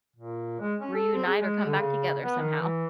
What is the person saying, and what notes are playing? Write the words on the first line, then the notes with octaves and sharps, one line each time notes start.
reunite or come back together somehow.
A#2
G#3
C#4
A4
C4
G#4
G#3
D3
C#3
B3
D#3
E3